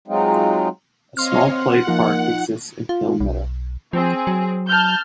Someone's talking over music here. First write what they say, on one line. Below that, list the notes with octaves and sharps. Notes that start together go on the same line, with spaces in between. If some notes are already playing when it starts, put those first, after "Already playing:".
A small play park exists in Hill Meadow.
F#3 G#3 C4 D#4 F4
C4 C#5 D#5 F5 C6 F6
F#5
F3 A#3 D#4 F4
F4
B1
F3 C4 G#4
F#3
A5 F6 G6